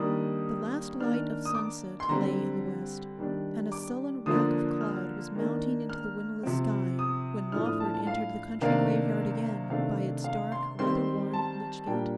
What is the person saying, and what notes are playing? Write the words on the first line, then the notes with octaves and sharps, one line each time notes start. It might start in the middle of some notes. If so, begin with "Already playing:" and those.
The last light of sunset lay in the west; and a sullen wrack of cloud was mounting into the windless sky when Lawford entered the country graveyard again by its dark weather-worn lych-gate.
Already playing: D#3 G3 A#3 D4 D#6
D#3 A#3 D4 F6
D#6
D6
C6
D3 G3 C4 A#5
D#3 G3 D4
D6
D3 F3 A#3 D4 D#6
F6
D#3 A#3 D4
F6
C3 F3 C4
D#6
A2 F3 A3 D4 F6
D#6
A5
A5
F5
C3 D#3 A#3 D4 F5
C3 D#3 A3 D4 F5
F5
C6
D#3 G3 C4 C6
A5
A#2 G3 A#3 D4 G5